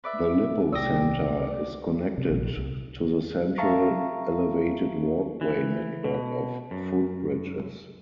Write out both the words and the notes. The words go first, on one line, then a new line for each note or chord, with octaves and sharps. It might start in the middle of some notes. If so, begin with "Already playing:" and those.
The Lippo Centre is connected to the Central Elevated Walkway network of footbridges.
B4 D5 E5
C2 D5 G5 D#6 E6 A#6
C3
A#1
C2
E5 F5 A5 A#5 C#6
E3
B2
F#2